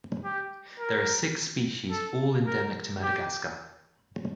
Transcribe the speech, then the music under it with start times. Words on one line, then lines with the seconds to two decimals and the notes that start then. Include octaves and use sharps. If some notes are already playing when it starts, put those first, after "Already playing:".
There are six species, all endemic to Madagascar.
0.24 G4
0.80 A#4
1.91 A4
2.47 A#4
3.03 G4